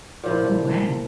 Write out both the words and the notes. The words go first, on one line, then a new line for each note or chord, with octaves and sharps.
Oh, wow.
A#2 F3 E4